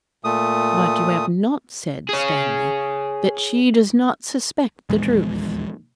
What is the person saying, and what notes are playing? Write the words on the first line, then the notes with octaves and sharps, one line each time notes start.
'But you have not said, Stanley, that she does not suspect the truth.'
A#2 A3 D#6
G#4 C#5
D#1 A#1 E2 G#3